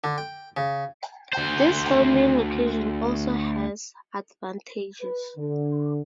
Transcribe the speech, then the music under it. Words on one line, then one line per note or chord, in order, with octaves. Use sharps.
This filming location also has advantages.
D3
G5
C#3
D2 C5
B4
D3